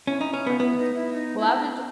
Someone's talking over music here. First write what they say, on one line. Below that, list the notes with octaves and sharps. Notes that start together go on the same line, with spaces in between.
Right, yes, sir, well, I've enjo
C#4 E4
D#4
C#4
B3
B3 E4
D#4
E4
D#4
E4